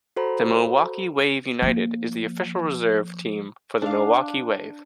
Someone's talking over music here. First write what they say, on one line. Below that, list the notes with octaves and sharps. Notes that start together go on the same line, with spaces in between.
The Milwaukee Wave United is the official reserve team for the Milwaukee Wave.
F#4 A4 C5 A#5 B5
F3 A#3
D4 F5